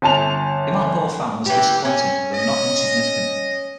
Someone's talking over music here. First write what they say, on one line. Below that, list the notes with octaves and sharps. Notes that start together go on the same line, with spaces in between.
The amount of ore found was disappointing, though not insignificant.
G1 G#5 A5 F7
E3 G4
C#4
D#5